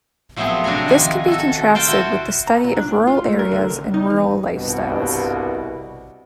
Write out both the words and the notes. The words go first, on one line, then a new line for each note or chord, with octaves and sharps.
This can be contrasted with the study of rural areas and rural lifestyles.
F3 F#3 A3 B3 C4 G#4
C3 D4 F#4 G#5 A#5
D#3 F3 G#5
F#4 A4
C5 F5 G5 A5
E4 F#4
A#5
A#2
D4
A2
F4
A3
A#4
D3
C#2
D#4
E2
C2 G2 B2